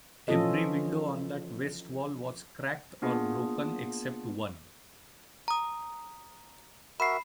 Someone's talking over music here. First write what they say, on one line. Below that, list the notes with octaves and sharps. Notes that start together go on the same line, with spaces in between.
Every window on that west wall was cracked or broken except one.
E3 F3 C#4 F4 A4 D#5
A#3 B3 D4 F4 G#4
A#5 D#6
F#4 A#4 E5 B5 C7